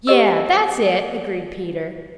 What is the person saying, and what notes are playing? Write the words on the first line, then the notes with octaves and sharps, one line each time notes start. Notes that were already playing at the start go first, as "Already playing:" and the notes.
"Yes, that's it," agreed Peter.
G4 D#5 E6